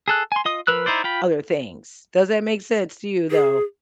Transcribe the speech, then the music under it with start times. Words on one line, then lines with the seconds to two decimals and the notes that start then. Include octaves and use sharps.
other things. Does that make sense to you, though?
0.08 G#4 A4 F#6
0.32 G#5 C6
0.45 F4 D#5 D#6
0.67 F3 A#4 B4 E6 F#6
0.86 D#4 E4 C5 D5
1.04 F4 G5 B5
3.31 G#4